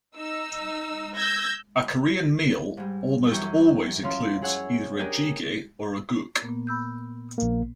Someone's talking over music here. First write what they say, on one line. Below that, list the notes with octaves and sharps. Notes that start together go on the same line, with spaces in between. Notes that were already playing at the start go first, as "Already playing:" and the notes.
A Korean meal almost always includes either a "jjigae" or a "guk".
D#4 E6
E6 G6 G#6 A#6
G#2 G3
F#2 E3 G3 G4 C#6 G6
F#2 F3 C#4 C6 F6
E4 G#4 C#5 F#5 E6
D4 D#4 G4 G#4 A#4 D#5
A#2 A#3 B3
B5 E6 G6
A#1 A#3